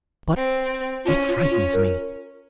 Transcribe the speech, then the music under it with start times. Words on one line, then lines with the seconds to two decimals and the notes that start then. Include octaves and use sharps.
But--... it frightens me.
0.36 C4
1.05 C#4 F4
1.28 F4
1.39 C#4
1.50 F4
1.73 A#4